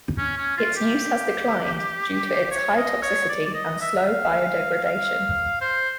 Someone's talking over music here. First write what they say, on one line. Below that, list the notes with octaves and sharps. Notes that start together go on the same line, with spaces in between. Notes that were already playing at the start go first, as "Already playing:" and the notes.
Its use has declined due to its high toxicity and slow biodegradation.
C#4
C#4
F4
G4
C#5
D#5
C#5
D5
D5
D#5
E5
E5
F5
F5
C5